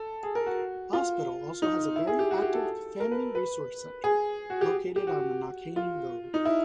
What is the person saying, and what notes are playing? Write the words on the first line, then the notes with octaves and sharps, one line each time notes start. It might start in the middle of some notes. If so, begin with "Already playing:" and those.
Hospital also has a very active Family Resource Centre located on the Knockainey Road.
Already playing: A4
G#4
A#4
F#4
F4
D#4
E4
G#4
G4
F#4
G4
A4
A#4
B4
B4
G#4
F#4
G4
G4
F#4
F4
D#4
E4